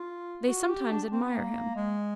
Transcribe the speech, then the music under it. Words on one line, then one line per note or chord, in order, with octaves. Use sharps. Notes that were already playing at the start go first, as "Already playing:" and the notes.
They sometimes admire him.
Already playing: F4
F#4
G4
D4
C4
B3
A#3
G#3